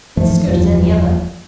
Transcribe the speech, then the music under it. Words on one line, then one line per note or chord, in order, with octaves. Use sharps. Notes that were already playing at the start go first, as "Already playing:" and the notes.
"It is as good as any other."
G#2 E3 F3 A3
F#1 E2 F3 G3